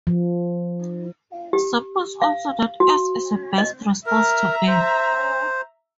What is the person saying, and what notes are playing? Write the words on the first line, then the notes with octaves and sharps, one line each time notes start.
Suppose also that S is a best response to B.
F3
G4
F5
F#4
D#5
A#4 E5 A#5
C5